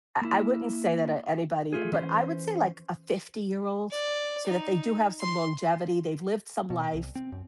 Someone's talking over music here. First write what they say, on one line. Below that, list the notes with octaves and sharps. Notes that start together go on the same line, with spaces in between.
I I wouldn't say that to anybody, but I would say, like, a fifty-year-old, so that they do have some longevity, they've lived some life,
A#3 E4
A3 F4 G#4
E3 C#4 C5
D5
D#4
C6
B2
C2
C4
F#2